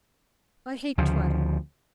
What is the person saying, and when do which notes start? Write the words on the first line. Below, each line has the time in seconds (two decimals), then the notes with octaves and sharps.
I hate twaddle.
0.98 D2 C#3 F3